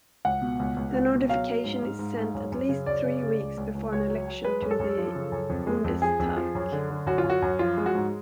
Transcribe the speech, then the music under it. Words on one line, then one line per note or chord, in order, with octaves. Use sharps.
The notification is sent at least three weeks before an election to the" Bundestag".
C#2 F#5
B2
C#2
C#2
C#2
B2
F#3 F5
F#3
G#2
G#2
G#2
G#2
F#2
F#2
C#3
F#2 D5
C#3
C#3
C#2
C#2
C#2
C#2 C#5
F#3
F#3
G#3 B4
F#2
A4
F#2
F3
C#3
F#2
F2
G#3
F2
F3 G#4
F2
F3
F#2
D3
D3
F#2 F#4
F4
F#2
F#4
F#2
F3 F4
G#3
F#4
G#2